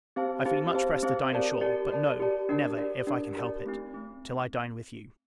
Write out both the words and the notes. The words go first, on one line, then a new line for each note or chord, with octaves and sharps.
I have been much pressed to dine ashore: but, no; never, if I can help it, till I dine with you.
C4 G4 C5 F5 A5
C4 G4 C5 F5 A5
C4 G4 C5 F5 A5
C4 G4 C5 F5 A5
G4 A#4 D5 A5
G4 A#4 D5 A5
G4 A#4 D5 A5
G4 A#4 D5 A5
D4 G4 A#4 D5 A5
D4 G4 A#4 D5 A5
D4 G4 A#4 D5 A5
D4 G4 A#4 D5 A5
A3 C4 D#4
A3 C4 D#4